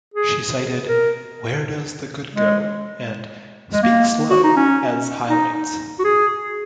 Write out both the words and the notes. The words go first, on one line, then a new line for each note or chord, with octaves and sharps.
She cited "Where Does the Good Go" and "Speak Slow" as highlights.
G#4
A#4
G#3
G#3
A#3
F#4
D#4
C#4
D#4
F#4
G#4